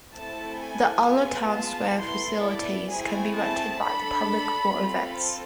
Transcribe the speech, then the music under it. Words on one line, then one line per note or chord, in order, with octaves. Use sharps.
The Olla Town Square facilities can be rented by the public for events.
A3 C4 E4 A4 A5
G#5
B3 F4 G#4
A5
B3 E4 A4 C6
D5
A3 C4 E4 G#4 G#5
A5
D4 A4 B5
C4 F4 A4